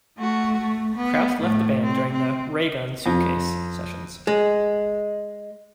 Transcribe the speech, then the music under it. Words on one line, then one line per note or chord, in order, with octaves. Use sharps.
Krauss left the band during the "Ray Gun Suitcase" sessions.
A3 F#4
A3
B3
A2 A3
C4
C4
F2
G#3